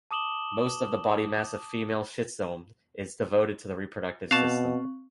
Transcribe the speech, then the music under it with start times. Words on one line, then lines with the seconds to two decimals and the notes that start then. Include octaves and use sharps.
Most of the body mass of female schistosomes is devoted to the reproductive system.
0.11 A5 D6 D#6 E7 F#7 G7
4.31 B2 C4 F5 A5 C#6